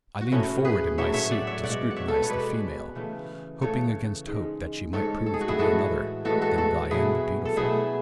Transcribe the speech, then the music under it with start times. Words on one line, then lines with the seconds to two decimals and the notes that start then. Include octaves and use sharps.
I leaned forward in my seat to scrutinize the female--hoping against hope that she might prove to be another than Dian the Beautiful.
0.21 F#4
0.32 A2 F#3 A3 C#4 E4
0.65 G#4 B4
0.98 A2 F#3 A3 C#5 E5
1.14 C#5 E5
1.31 D5 F#5
1.47 C#5 E5
1.63 B2 G#3 D5 F#5
1.91 F#5
1.96 C#5 E5
2.08 A4
2.15 B4
2.23 C#5
2.29 B2 G#3 B4 D5
2.95 C#3 E3 A3
3.61 C#3 E3 A3 A4 C#5
4.27 G#2 G#3
4.93 G#2 G#3 A4 C#5
5.26 A4
5.34 G#4
5.41 F#4
5.48 E4 G#4
5.59 A2 E3 G#3 F#4 A4
6.25 A2 E3 G#3 F#4 A4
6.42 F#4 A4
6.58 F#4 A4
6.91 B2 F#3 A3 E4 G#4
7.45 A4
7.56 B2 F#3 A3 E4 G#4